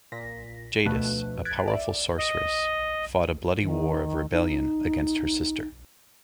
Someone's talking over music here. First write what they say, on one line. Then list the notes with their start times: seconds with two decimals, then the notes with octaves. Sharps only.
Jadis, a powerful sorceress, fought a bloody war of rebellion against her sister.
0.12 A#2 A#6 B6
0.85 D2 B2 F3 A3 B4 F#6
1.45 F#6 G#6 A6 B6 D7
1.68 D5 E5
2.18 D#5
3.62 D#3
4.32 D#4